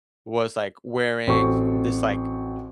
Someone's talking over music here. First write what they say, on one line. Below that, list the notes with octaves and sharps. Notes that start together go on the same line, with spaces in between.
was, like, wearing this, like,
A1 C4 F#4 A4 C#6